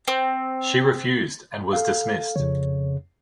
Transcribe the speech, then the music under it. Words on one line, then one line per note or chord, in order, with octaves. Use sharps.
She refused and was dismissed.
C4
A4 F5
F2 C#3 C#5